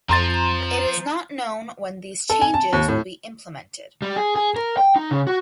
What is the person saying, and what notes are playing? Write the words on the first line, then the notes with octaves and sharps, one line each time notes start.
It is not known when these changes will be implemented.
F2 F3 A#5 C6 A6
A4
G#5
A5
D#2
A2
G3
G#4
G#4
A#4
G5
D#4
C#3
F#4